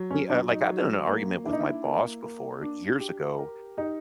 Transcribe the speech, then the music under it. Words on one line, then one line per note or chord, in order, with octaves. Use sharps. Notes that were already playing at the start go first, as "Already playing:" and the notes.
We like, uh I've been in an argument with my boss before, years ago.
Already playing: F#3
C#4
F#3 D4
D#4
F#3
A#3
D4 E4
D#4
E4
A#3
A#3
D4
G4
A#4
D#4 G4